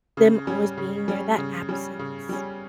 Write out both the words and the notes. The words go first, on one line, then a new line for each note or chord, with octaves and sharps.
them always being there, that absence
C#3
G3 C#4
C#3
G3 C#4
C#3
G3 C#4
C#3
G3 C#4